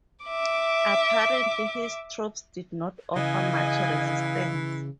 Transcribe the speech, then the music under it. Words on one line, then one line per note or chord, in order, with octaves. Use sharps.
Apparently, his troops did not offer much resistance.
E5 D6
C#3 E3 D#5 F5 G#5